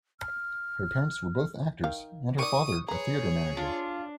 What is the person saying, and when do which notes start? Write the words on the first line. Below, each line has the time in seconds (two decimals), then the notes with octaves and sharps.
Her parents were both actors and her father a theatre manager.
0.20 F6
1.84 D#3 F5
2.39 D#3 D5 C#6 D#6 D#7
2.88 G#4 B4 C#5 A#5
3.57 D4 F4